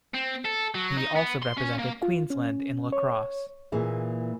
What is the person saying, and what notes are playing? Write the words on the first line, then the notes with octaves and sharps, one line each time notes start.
He also represented Queensland in lacrosse.
C4
A4
F#3
D#4
B3
C6
C#4
A#3
F4
C#4
C#5
A#2 E3 A#3 G#4